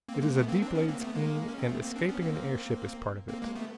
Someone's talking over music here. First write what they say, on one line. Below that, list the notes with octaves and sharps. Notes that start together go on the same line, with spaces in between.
It is a deep-laid scheme, and escaping in the airship is part of it.
A#3 C4
G#3 A#3
A3 B3
A#3 C4
C4 D4
B3 C#4
A#3 C4
A3 B3
G#3 A#3
C#4
C4
A3 B3
A#3 C4
C4 D4
B3 C#4
A#3 C4
A#3 C4
G#3 A#3
A3 B3